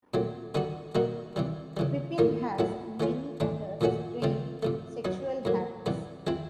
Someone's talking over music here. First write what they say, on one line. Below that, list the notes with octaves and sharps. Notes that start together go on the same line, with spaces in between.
Pippin has many other strange sexual habits.
A#2 F#3 A3 C4
D3 G3 B3 D#4 F#4
B2 G3 A#3 D#4 F#4
C3 E3 G3
C#3 E3 G3
A2 F3 A#3 D#4
A2 F#3 B3 E4
E3 A3 C#4 F4
A2 E3 A3 D4
A#2 F3 A3 C#4 F#4
C#3 F3 A3 C4
C3 F3 A3
F#3 B3 D#4
A2 F#3 A#3
C3 E3 G3 B3
F3 G#3 C4 E4